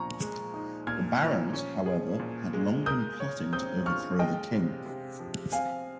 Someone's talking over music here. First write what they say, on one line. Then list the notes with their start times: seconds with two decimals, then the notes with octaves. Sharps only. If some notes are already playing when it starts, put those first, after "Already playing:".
The barons, however, had long been plotting to overthrow the king.
Already playing: A#2 F3 A#5 C#6
0.21 G#3
0.54 D#4
0.87 A#2 F6 G#6
1.21 F3
1.53 C#4
1.86 G#4
2.20 A#2
2.53 G#3
2.86 A#4 D#6 G6
3.20 C#5
3.53 C4 D#6 G6
3.86 F4 C#6 F6
4.19 G#3 D#5 G5
4.52 C3
4.86 C3
5.19 F3
5.52 C4 F5 G#5